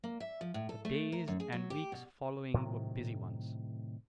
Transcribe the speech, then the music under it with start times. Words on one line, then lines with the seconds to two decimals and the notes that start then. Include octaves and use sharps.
The days and weeks following were busy ones.
0.04 A#3
0.20 E5
0.41 F3
0.54 A2
0.69 A4
0.85 A3
1.12 A#4
1.28 F#2
1.40 G#4
1.52 F#3
1.70 G4
1.92 B2
2.54 A2 C3 D#3 F#3